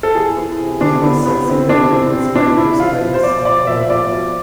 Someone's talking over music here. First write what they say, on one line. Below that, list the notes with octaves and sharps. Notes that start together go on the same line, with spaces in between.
He was succeeded in his titles by his son, Arthur.
A4
E3 G#4
E3
C3
C3 D4
E3 B3
C3 B3
E3 C4
C3 D4
E3 C4
C3 C4
E3 D4
E3 E4
F3 F4
F3
C5
F3 D5
F3 D5
F3 E5
F3 D5
B2